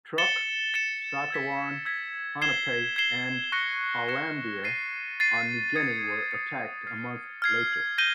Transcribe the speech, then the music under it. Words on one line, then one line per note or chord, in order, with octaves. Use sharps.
Truk, Satawan, Ponape, and Hollandia on New Guinea were attacked a month later.
A6 C#7 E7 G7
A6 C#7 E7 G7
E6 G#6 B6
E6 G#6 B6
G#6 C7 E7 G7
G#6 C7 E7 G7
C#6 F#6 A#6 C#7 E7
C#6 F#6 A#6 C#7 E7
A6 C7 D#7
A6 C7 D#7
D#6 G#6 C#7
D#6 G#6 C#7
F6 G#6 C7
F6 G#6 C7
G6 A#6 D#7 G7